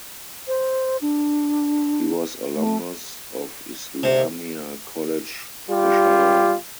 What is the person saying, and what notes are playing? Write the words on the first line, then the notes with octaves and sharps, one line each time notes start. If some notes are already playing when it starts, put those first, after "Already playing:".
He was alumnus of Islamia College Peshawar.
C5
D4
A3
C3
G3 F4 G4